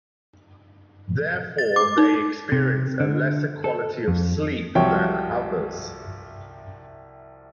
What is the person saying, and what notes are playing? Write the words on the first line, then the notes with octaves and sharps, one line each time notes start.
Therefore, they experience a lesser quality of sleep than others.
A6
D6
D#4
C3
D3
A4
F2
C2 C3 F3 F#4 C#5 G5